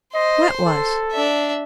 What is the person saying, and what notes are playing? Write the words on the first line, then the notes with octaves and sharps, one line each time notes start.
"What was?"
C5 D#5 C6
A4
D4 E5